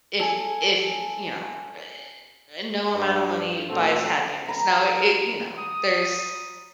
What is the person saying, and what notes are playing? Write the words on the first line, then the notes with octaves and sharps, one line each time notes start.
eh, if if, you know, er, no amount of money buys happiness. Now i it you know, there's
A4 G#5
G2
A#2 A3 C4 D4 F#4 A4
A#5 B5
D#6